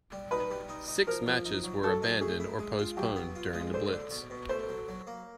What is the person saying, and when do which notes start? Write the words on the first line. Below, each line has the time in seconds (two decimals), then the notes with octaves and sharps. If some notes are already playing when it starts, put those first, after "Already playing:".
Six matches were abandoned or postponed during the Blitz.
0.12 G3
0.31 D#4 B4
0.51 G3
0.69 D#4
0.88 D#4
1.07 F3 A#4
1.26 F3
1.45 D#4
1.64 F#3
1.83 F#3 A4
2.02 D#4
2.21 A3 G#4
2.40 E4
2.59 G#3
2.79 F4
2.97 F#3 G4
3.16 B3
3.35 F4
3.54 G#3
3.73 D3 C5
3.92 D3
4.11 B2
4.30 B2
4.49 A3 C5
4.69 F#3
4.88 F#3
5.07 A#3